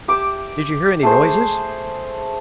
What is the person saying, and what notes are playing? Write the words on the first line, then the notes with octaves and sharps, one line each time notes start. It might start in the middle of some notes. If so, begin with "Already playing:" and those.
"Did you hear any noises?"
G4 E5 D6
A3 G#4 C5